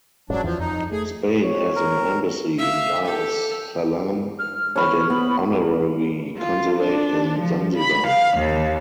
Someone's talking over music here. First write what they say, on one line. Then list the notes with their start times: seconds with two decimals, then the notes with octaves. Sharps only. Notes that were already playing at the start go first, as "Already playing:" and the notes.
Spain has an embassy in Dar es Salaam and an honorary consulate in Zanzibar.
0.30 F1 G#2 F#3 C#4 D4
0.44 E2 E3 F3
0.59 F2 D#4
0.91 A3 G#4
1.42 C#5
1.76 A#4
2.58 E5 F5
3.05 G4 A4
4.39 F6
4.76 C#5 B5 F6
5.10 B3 B5
6.37 F4
6.78 D4
7.39 F3
7.75 B5
8.06 F5
8.36 D#2